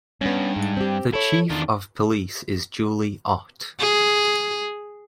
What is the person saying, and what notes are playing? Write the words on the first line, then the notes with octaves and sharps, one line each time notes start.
The chief of police is Julie Ott.
G2 B3 C#4
G#2
C4 G4
E4 A4 C#5
E2 D#3 D4 F4
G#4